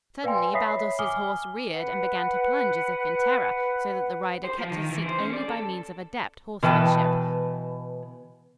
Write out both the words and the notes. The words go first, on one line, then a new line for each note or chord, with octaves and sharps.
Suddenly Baldos's horse reared and began to plunge as if in terror, so that the rider kept his seat only by means of adept horsemanship.
B4 D5 F5 G5 G#5 C6
C#5 E5 B5 D#6 B6 C7
G#5 D6 D#6 F6 G7
B4 F#5
C5
F3
D#3
E3
C5
C#4
D5
A4
B2 E3 B4 G5 A5